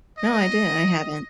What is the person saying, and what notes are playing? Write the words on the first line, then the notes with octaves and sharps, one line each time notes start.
No, I didn't I haven't.
D#5